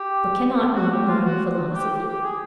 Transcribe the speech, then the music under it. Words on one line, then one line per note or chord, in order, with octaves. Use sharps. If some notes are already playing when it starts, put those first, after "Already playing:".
"But cannot one learn philosophy?"
Already playing: G4
F#4
G4
F4
F#4
G4
G4
G4
G#4